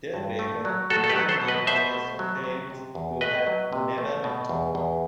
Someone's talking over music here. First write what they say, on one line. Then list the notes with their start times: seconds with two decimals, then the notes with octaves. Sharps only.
Del' Baker, a man Melendez claims to have never met.
0.14 G2
0.39 A3
0.65 F#3
0.90 A3 F#4 A4
1.04 A4
1.09 G4 B4
1.16 F#3
1.29 A4 C5
1.42 B2
1.48 B4 D#5
1.67 B2 C5 E5
1.93 A3
2.19 F#3
2.44 F#3
2.70 C3
2.95 E2
3.21 A3 B4 D#5
3.47 F#3
3.73 C3
3.98 A3
4.24 B2
4.49 E2
4.75 E2